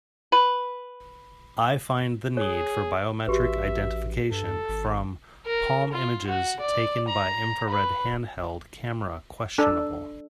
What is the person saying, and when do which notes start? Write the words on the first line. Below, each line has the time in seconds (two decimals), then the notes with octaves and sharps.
I find the need for biometric identification from palm images taken by infrared handheld camera questionable.
0.32 B4
2.37 G#4 C#5 D#6
3.27 A1 F#4 G4 B4 E5
4.31 G2 A4
4.69 G#1
5.46 A#4
5.93 F4
6.27 F#4
6.60 D5
7.08 A#5
7.70 B4
9.58 D4 A4